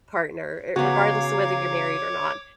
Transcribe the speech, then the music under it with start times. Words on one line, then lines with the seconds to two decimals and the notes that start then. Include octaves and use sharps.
partner, uh, regardless of whether you're married or not,
0.76 C#3 B3 F#4 C#5 F5 A#5 D6